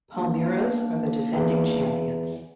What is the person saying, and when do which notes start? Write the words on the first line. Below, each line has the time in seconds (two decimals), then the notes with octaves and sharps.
Palmeiras are the defending champions.
0.13 A#3 D4
1.34 E2